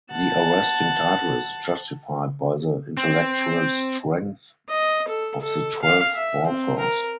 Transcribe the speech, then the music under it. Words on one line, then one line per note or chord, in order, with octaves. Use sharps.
The arresting title is justified by the intellectual strength of the twelve authors.
F#5 A5
C4
D#5
A4
A4
F5
E5
C4
A#4